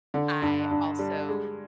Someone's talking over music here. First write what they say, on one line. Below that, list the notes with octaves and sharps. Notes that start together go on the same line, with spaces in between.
I also
D3
G2
G2
G3
G#3